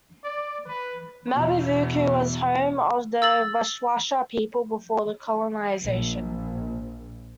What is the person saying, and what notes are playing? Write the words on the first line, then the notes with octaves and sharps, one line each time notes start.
Mabvuku was the home of the VaShawasha people before colonisation.
D5
B4
E2 B2
E6 A6 F#7
A#1 A#2